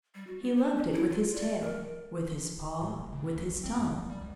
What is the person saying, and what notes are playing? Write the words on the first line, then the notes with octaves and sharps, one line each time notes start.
He loved it with his tail, with his paw, with his tongue.
G3
F#4
B3
C5
C#4
E4
F4
D5
A#4
A2
F1
C#3
D#3
D2
G#1
C4
F#2
F1
G3
C#2